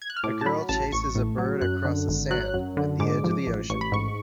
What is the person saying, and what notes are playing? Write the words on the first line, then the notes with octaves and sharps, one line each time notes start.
A girl chases a bird across the sand at the edge of the ocean.
G#6
F#6
F6
A2 D6
A5
F#3 B5
A1 A5
A1 C#6
A2
F#3
F#2 F#6
D3
G#1
F#3 F#6
F#2
D3
G#2 D6
F3
A1
A1 C#6
B5
G#2 C#6